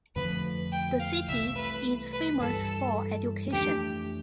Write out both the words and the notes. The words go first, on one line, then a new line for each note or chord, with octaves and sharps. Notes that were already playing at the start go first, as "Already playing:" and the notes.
The city is famous for education.
F2 D3 F3 A3 B4
G5
F5
C2 C3 E3 A3 E5
B4
B4
G2 E3 G3 A4
F2 E3 A3 D4 G4